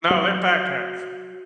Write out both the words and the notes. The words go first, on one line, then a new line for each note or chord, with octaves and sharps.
No, they're fat cats.
F#3